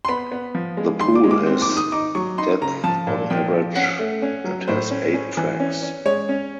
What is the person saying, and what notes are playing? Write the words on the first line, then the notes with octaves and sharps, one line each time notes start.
The pool has depth on average and has eight tracks.
C6
B3 B5
B3
F3
G#3
D#3 C6
D6
G#3
D6
C4
D6
D#3
D#6
D#4 D6
F#3 C#6
D#4 C6
C#3 A#5
F3 A5
A#2
F3 G5
F3
C#4 F#5
A3
C#4
F#3
A2 C5
C#4
C#4
E3
C#4
C#4
G#3 C#5
C#4